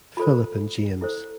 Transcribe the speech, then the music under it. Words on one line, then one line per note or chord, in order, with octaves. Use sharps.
Philip and James.
F4 A4 C5 B5
E4 A4 C5